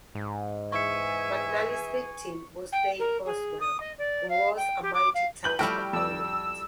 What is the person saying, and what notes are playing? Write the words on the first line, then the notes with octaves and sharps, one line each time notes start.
McNally's victim was Dave Boswell, who was a mighty tough opponent.
G#2
E3 G#4 E5 G#5 C#6 C#7
G5
A#4
G#4
D#6
D#5
D5
F5
G5
G4
D6
F5
B4 G6 F#7
F3 G3 A3 E4 F#4 G5 F6
F2 D5 E6